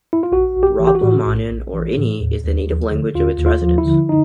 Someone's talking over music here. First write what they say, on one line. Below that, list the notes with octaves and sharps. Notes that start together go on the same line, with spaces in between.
Romblomanon or "Ini" is the native language of its residents.
E4
F4
A#1 F#4
A#1
G4
E3
G4
F#4
A2
A#1
A#1
E3
A2
D#2
D#2
F3
D3
D#2 F4
D#2
F4
F3
E4
D3
D#4